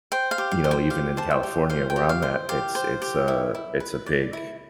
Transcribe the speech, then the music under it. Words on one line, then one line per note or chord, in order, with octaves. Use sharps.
you know, even in California, where I'm at, it's it's a it's a big,
C5 G5
F5
G4
F5
C5
G5
G4 F5
C5 A5
G5
G4
C5 F5
G5
G4
F5
C5
G4 F5
C5
G4
E4
E4
B4
D5
E4